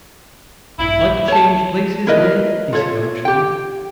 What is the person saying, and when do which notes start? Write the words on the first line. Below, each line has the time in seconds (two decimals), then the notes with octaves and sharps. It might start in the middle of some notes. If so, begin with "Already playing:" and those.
"Like to change places, Ned?" he said archly.
0.78 A#1 G2 E4
1.28 C#5 A5
2.07 E4 A#4 B4 D#5
2.73 F4 A4 C#5
3.25 G4 G5